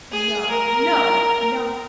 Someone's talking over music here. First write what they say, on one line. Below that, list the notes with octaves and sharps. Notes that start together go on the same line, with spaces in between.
No, no, no!
G#4
A#4